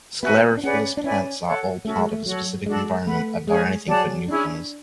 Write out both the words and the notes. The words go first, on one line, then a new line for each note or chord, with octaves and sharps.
Sclerophyllous plants are all part of a specific environment and are anything but newcomers.
B3 F#4 B4 E5 G#5
D4
C#4 G#4 B4 D5 F#5
D4
C#4 E4 B4 D5 G#5
A4 C#5 F#5
A3 C#4 F#4 A4 E5
G#3
A3
F#3 F#4 A4 C#5
G#3 D4 F#4 A4
A3 B4 F#5 B5
G#3 C#4 G#4 C#5
F#3 G#4 D5 F#5 A5
C#4 D4 E4 G#4